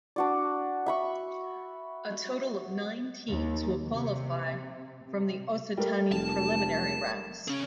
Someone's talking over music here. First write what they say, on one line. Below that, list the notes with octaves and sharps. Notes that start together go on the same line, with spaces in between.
A total of nine teams will qualify from the Occitanie preliminary rounds.
D4 F#4 D5
E5 B5 C#6
D#2
C3
C3
G3 A3 A#4
F1 A5
C#4 G#4